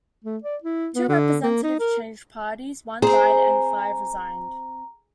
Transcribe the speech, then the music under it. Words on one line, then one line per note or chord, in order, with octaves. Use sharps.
Two representatives changed parties, one died, and five resigned.
A3
D5
E4
B3
D3
A#3
D#4
A#4
C4 G#4 C5 A#5